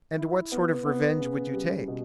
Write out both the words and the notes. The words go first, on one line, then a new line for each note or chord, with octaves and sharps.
"And what sort of revenge would you take?"
E4
B3
B3
C#3
G3
B2